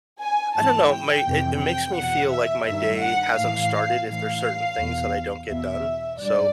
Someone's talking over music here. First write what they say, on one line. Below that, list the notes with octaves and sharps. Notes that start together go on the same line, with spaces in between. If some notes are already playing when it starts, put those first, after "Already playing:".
I don't know. My it it makes me feel like my day hasn't started if there's certain things that I don't get done. So,
G#5
G#2 E3 A5
G5
F2 C3 E3
G5
E2 B2 F#5
E5
G2 D#3 E5
F#5
A2 E3 F5
A2 E3 F5
E2 B2
E2 B2 E5
G2 D5